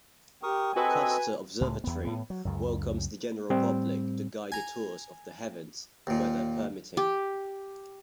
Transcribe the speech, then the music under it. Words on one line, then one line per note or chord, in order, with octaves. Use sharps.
Custer Observatory welcomes the general public to guided tours of the heavens-weather permitting.
G4 A#4 C#6 D#6
C4 F#4 A4 B4 D#5 G#5
C#2 A2 G#3
E2 B3
A2 B3
F#3
C#2 F#2
A2 G3 C4
G#5 A#5
D#2 A#2
G4